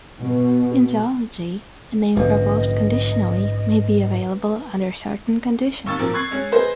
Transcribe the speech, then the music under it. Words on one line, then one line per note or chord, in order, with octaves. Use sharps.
In zoology, a name proposed conditionally may be available under certain conditions.
B2
A#1 G#2 D3 F#3 C#4 B4 D#5
D#2 C#6 E6 A6
A#2 F3 A#4
C#6 F#6 G#6 A6 C7
G#3 C#4
G#4 B4 C5 D#5